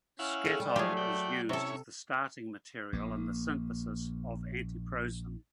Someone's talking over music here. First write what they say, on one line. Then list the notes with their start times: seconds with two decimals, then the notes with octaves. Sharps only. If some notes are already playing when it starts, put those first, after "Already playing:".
Skatole is used as the starting material in the synthesis of atiprosin.
0.19 C#4 E4 F5 F#5
0.45 G#4 A4
0.60 G3
0.76 F3 F#3 G#3 A3 F4 G4 G#4
0.97 D5 F#5 G5
1.49 C3 C#4 E4 A4 C#5
2.93 A#1 A#3